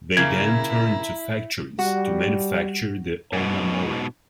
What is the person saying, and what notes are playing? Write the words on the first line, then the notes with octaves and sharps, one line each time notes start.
They then turn to factories to manufacture the "omamori".
C#3 A#3 E4 A#5 G#6
G3 F#4
G#2 B2